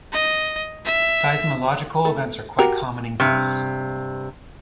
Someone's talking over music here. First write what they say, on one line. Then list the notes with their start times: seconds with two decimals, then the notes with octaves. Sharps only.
Seismological events are quite common in Greece.
0.13 D#5
0.85 E5
2.05 A3
2.59 F#4 G4 A#4
3.20 G2 C3